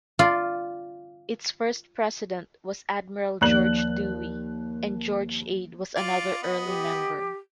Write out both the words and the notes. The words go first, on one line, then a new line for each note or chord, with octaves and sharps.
Its first president was Admiral George Dewey, and George Ade was another early member.
F4 D5
D#2 F3 A#3 D5 F#6 F#7
F4 D5
B3 D#5
G4